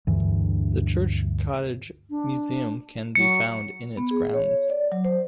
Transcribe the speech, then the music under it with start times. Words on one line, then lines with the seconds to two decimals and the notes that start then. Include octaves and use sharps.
The Church Cottage museum can be found in its grounds.
0.07 D2 G2 E3
2.10 D4
3.15 F#3 C#7
3.97 B3
4.11 G#4
4.34 C#5
4.70 D5
4.92 F#3
5.05 C5